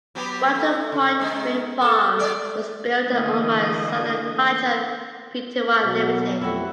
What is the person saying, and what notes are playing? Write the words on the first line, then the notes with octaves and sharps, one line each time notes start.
Wattle Point Wind Farm was built and owned by Southern Hydro Pty Limited.
F#3 B3 G4
A3
C#3
C#3 G#3 D#4
A4
G#3 D5
D3 E3 A3 A#3 D#5
B2 F#3
F2 A3 E4 F#4 G4